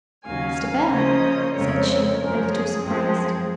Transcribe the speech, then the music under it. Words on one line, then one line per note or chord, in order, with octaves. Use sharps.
'Mr. Bell!' said she, a little surprised.
D#2 C#3 F#3 C#4 F5 G#5
C#3 F3 A#3 C#4 C5 D#5
F2 C#3 G#3 C4 A#4 C#5
F#2 F3 G#3 C#4 A#4
G#4
F#2 F3 G#3 C4 G#4